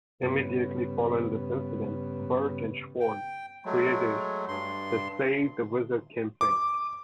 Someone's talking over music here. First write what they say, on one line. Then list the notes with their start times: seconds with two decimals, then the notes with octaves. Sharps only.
Immediately following this incident, Berk and Schwartz created the Save The Wizard Campaign.
0.22 G2 C#3 B3
3.00 G5
3.65 F#3 G#3 A3
4.48 G2 C6
6.41 D6